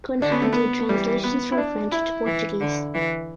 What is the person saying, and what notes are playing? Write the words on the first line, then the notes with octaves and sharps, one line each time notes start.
Cunha did translations from French to Portuguese.
D3 D4
B3
A3
B3
E3 G3
B3
E4
D4
E4
E3
D3
E3